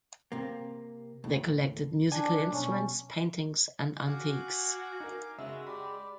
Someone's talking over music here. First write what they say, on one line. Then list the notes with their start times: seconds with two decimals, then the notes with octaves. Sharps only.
They collected musical instruments, paintings and antiques.
0.32 C3 A#3
1.24 D#2 A2
2.12 D4 G#5
2.52 B1 C#4
4.07 F#4 F5 G#5 D6
5.00 D#4 A#4
5.38 C#3 G#3 F#4 E5 E6
5.67 G4 D5 B5